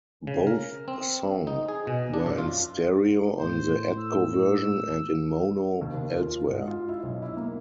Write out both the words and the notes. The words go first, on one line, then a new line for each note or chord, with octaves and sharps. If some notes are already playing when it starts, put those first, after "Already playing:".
Both song were in stereo on the Atco version and in mono elsewhere.
C#3
A#4
C4
D#4
G#4
B2
D4
F#2
F4
A2 C5
E6
D#2
D#2
F4
G#2
F4
E4
B1
E4
A#3